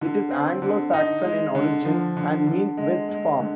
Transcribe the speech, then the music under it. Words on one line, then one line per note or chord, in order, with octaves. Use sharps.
It is Anglo Saxon in origin and means 'west farm'.
D3
C4
D3
D#4
G#3
D3
F3
D3
D3
G#3
G#3
D3